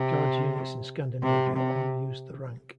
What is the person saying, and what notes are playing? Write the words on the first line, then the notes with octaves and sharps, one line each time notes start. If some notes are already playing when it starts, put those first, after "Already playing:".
Guards units in Scandinavia all use the rank.
Already playing: C3
C3
C3